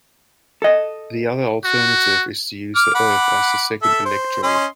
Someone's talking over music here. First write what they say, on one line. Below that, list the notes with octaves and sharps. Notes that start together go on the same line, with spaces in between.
The other alternative is to use the Earth as the second electrode.
A4 D#5
F#4
D6 F6
F#5 B5 D6
A4 E5
C5
C#4 D#5 C6